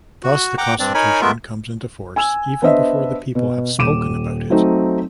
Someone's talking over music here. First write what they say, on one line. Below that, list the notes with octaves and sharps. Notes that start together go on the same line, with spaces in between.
Thus the constitution comes into force even before the people have spoken about it.
F#4
F#5 G5 A#5 D6
G2 C4 D4 D5
D#4 A#4 C#5 G#5 B5
G#3 A3 B3 F4 A#4 E5
G#5 E6
B3 D4 C5 D#5 E5
B2
D#1 D6 D#7 E7
F#3 A3 C4 D#4